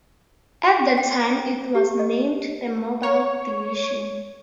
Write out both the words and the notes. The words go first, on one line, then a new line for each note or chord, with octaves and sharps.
At the time, it was named The Mobile Division.
G5
G4
D#5
C#5